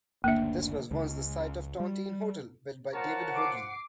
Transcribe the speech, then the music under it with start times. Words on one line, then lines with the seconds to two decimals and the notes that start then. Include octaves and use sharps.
This was once the site of the Tontine Hotel, built by David Hoadley.
0.24 F#1 D2 A#3 D4 E5
0.91 C#2 C#3
1.80 G3
2.93 F3 A#4 C#5 F#5 A5
3.35 D6 C7